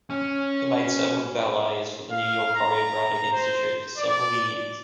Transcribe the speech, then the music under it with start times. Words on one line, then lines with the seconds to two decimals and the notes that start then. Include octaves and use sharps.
He made several ballets for the New York Choreographic Institute for several years.
0.10 C#4
2.11 F5
2.55 A#5
3.33 C5
3.98 D5